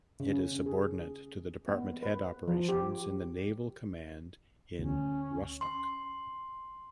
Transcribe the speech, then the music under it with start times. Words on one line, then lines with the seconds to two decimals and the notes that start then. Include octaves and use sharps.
It is subordinate to the department head operations in the naval command in Rostock.
0.20 C#3
0.33 C#4
0.66 G#4
1.68 B3
2.03 B4
2.48 F3
2.69 G4
4.79 D2 C#4
5.61 C6